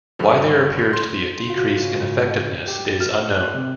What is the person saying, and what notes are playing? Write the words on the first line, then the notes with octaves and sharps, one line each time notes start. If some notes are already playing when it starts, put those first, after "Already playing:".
Why there appears to be a decrease in effectiveness is unknown.
G2 D3 F3
C6
G#2 C#3 F4 F#4 F5
G4
A6
F6
F#6
C3